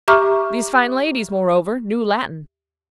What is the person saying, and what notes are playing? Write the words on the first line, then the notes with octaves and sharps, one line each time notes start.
These fine ladies, moreover, knew Latin.
G4 E5 A#5 C#6 D6 F6